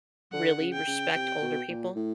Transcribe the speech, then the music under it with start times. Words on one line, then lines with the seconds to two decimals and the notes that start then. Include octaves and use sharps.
really respect older people
0.32 D3 F#5
0.60 C#3
0.73 G5
0.87 C#3
1.14 C3
1.42 B2
1.69 A#2
1.96 A2